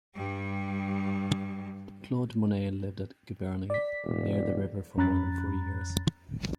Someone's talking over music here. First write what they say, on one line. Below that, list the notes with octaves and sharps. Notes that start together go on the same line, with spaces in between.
Claude Monet lived at Giverny near the river for more than forty years.
G2 G3
D5 B6
E1
F2 C#4 A#5 B5 F#6 A6